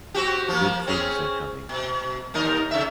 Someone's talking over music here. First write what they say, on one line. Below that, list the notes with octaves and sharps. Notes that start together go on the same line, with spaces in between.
Good things are coming.
C4 F#4 G4
F3 A#3
C4 C#4 G#4
B2
D#2 D#4 A#4
C#3 E5